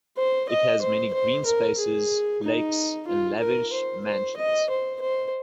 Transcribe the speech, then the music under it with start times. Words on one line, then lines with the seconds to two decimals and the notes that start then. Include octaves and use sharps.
It has many green spaces, lakes, and lavish mansions.
0.17 C5
0.49 D#5
0.81 C5
1.13 C5
1.46 A#4
1.78 G#4
2.43 D#4
3.07 F4
3.39 A#4
3.73 C5
4.05 C5
4.37 D#5
4.70 C5
5.01 C5